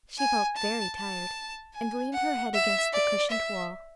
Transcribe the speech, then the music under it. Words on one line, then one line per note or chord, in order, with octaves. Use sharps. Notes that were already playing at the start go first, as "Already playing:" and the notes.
She felt very tired, and leaned her head against the cushioned wall.
G#5
A5
A5
G#5
F#5
E5
D5
E5